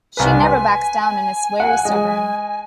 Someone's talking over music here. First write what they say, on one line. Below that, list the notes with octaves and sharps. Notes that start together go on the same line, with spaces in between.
She never backs down and is very stubborn.
C2 B4 G#5
B4 C6
F#5
G#3